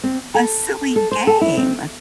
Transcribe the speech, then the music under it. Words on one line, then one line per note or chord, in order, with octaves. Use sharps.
a silly game.
C4
A4
A4
C5
A4
E4
C4